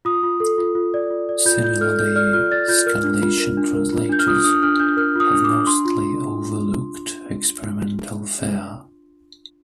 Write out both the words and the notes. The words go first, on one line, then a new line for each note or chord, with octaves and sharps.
Similarly, scanlation translators have mostly overlooked experimental fare.
F4 D#6
F4
A4
F4
F4
D5
F4
D5
F4 G6
F4 G6
A4 F6
A4 G6
D5 F6
F4 F6
D5 A6
F4 G6
A#4 F6
D4
F4
A#4
D4
A#4
F4
D4 G6
F6
F4 D#6
D4 D#6
D4 F6
D4 G6
A#4 F6
F4 D#6
D4
D6
D4
D4 C6
F4